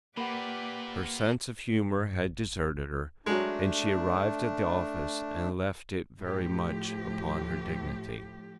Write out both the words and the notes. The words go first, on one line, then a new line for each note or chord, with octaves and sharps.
Her sense of humour had deserted her, and she arrived at the office and left it very much upon her dignity.
A#2 A#3 G4 B4 D5 F#5 G5 B5
G2
F#1
F#3 G#3 A3 D4
A2 F3 G4